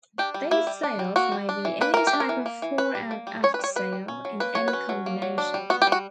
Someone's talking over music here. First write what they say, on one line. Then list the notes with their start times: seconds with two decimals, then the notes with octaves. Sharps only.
These sails may be any type of fore-and-aft sail, in any combination.
0.18 D4 G4
0.34 G3
0.51 A#3 E4
0.67 G3
0.83 D4
0.99 G3
1.16 A#3 F#4
1.32 G3
1.49 D4
1.65 E3
1.81 A#3 B4
1.94 E3 A#4
2.07 G4
2.13 D4
2.20 A#4
2.29 E3
2.46 A#3
2.62 E3
2.78 C#4 B4
2.95 G3
3.11 A#3
3.27 G3
3.43 C#4 C#5
3.54 B4
3.59 G3 C#5
3.76 A#3 B4
3.93 G3
4.08 C#4
4.25 F#3
4.40 A#3 B4
4.55 F#3 C#5
4.68 B4
4.73 C#4
4.89 F#3
5.06 A#3
5.22 F#3
5.38 D4
5.54 G3
5.70 B3 F#4
5.82 G4
5.87 G3
5.92 F#4